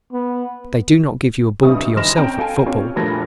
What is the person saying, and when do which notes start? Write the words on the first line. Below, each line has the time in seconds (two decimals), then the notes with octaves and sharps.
They do not give you a ball to yourself at football.
0.13 B3
1.63 B1 G2 C3 G3 C#6 D#6
1.96 F#1 D#4 C6 F6 A#6 E7
2.17 C4 C#4 G5 A#5
2.38 A4 F5 G5 G#5
2.66 C4 C#4 F4 G4 C#5
2.96 F1 G2 A#2 A4 G#6 A#6